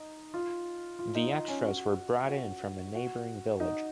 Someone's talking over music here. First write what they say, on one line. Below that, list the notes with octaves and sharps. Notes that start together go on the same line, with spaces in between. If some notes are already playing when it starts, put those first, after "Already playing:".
The extras were brought in from a neighboring village.
Already playing: D#4
F4
F4
D#4
D#4
C#4
F#4
F#4
F#4
D#4